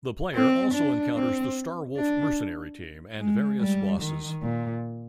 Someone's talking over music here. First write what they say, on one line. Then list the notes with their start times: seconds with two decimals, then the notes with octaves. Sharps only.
The player also encounters the Star Wolf mercenary team and various bosses.
0.34 C4
0.74 D4
1.16 C4
1.97 D4
3.19 G#3
3.60 G3
4.01 D#3
4.42 A#2